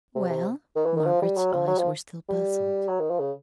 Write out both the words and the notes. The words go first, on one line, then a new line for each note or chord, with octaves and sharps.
"Well?" Margaret's eyes were still puzzled.
C3
C3
D#3
E3
D#3
F3
G3
F#3
F3
F#3
F3
G3
F#3
D#3
F3
C#3